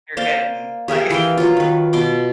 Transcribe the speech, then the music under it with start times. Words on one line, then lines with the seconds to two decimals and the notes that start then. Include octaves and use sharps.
You're getting, like,
0.17 A#3 C5 D5 F5
0.88 G4 G#4 A#4 E5
1.10 E3 F5 G5
1.37 F#3 F4
1.57 D#3 B4
1.93 B2 C6 D6